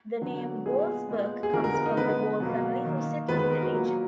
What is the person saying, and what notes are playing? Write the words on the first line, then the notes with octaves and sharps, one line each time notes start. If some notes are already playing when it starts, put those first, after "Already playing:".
The name "Boalsburg" comes from the Boal family who settled the region.
D3 F#3 B3
A#2 G#3 B3 G#4
A#2 G#3 B3
G#4
D3 F3 G#3 B3 A#4
A#4
A#4
D#4
D3 G#3 B3 B4
B2 F#3 A#3
D#3 A#3
D#3 G#3 B3 B4
B4
A#4
F#4
A#2 F#3 A#3